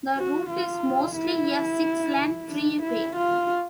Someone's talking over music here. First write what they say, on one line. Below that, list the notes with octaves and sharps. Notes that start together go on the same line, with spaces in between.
The route is mostly a six-lane freeway.
F#4
F4
E4
D4
E4
F4